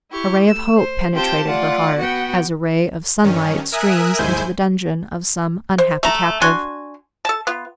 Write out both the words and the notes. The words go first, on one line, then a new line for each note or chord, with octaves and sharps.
A ray of hope penetrated her heart, as a ray of sunlight streams into the dungeon of some unhappy captive.
E4 G4 C#6
A3 E6
C5
C4 F4 G4 C5 G5 A5
A3 F4 D5 F#5
B3 F#4 F#5 G5
G2 D#3 C#4
A#4 E5 G#5 D#6 F#6
D#2 G#2 E4 C5 G#5 G6
C5
A3 A#5
D4 F#4 G#5 C6
A4 A5
B3 F4